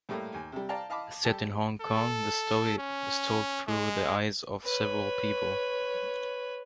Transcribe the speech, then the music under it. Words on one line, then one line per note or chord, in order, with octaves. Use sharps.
Set in Hong Kong, the story is told through the eyes of several people.
A2 G3 A3 A#3
D#2 G#5
C3 G3
D5 F5 G5 A5 A#5
D#5 F5 A5 B5 D6
G3 G4 A4 A5
A4
C#4
G#3
B4 C#5